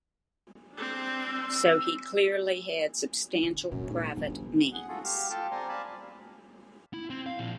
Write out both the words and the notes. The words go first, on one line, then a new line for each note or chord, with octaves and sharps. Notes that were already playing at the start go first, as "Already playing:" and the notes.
So he clearly had substantial private means.
C4 D4
E6
D3
F#2 A#2 D#3
G#2
G1 F3 C#4
G#4 F#5
F4 F#4 G#4 A4
G4 F5
F4 G4 A4 F5 G5 A5
C4 C5 D5 G#5 A#5 C6
D5 F5 G#5 A5 B5
E4
C4
F5
A#2 F3